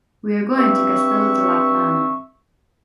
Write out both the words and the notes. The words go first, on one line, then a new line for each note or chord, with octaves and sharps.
We are going to Castelló de la Plana.
G2 C4 E5 C#6